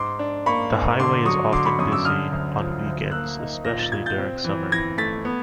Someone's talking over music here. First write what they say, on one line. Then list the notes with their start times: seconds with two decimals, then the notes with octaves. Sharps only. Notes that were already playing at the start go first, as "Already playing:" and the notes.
The highway is often busy on weekends, especially during summer.
Already playing: G#2 C6 D6
0.19 D4
0.46 A#3 B5 C#6
0.72 G#2
0.99 D3 C6 D6
1.25 F#3 C#6 D#6
1.52 D3 C6 D6
1.65 B5 C#6
1.79 F#2 C#6 D#6
1.92 D6 E6
2.05 D3 D#6 F6
2.32 D2
2.59 F3
2.85 D2
3.11 A#3 E6 F#6
3.39 D#4
3.65 A#2 A#6
3.79 A6
3.92 A#2 G#6
4.06 G6 A6
4.18 C4
4.44 E3
4.72 E3 G#6 A#6
4.98 A3 A6 B6
5.25 B3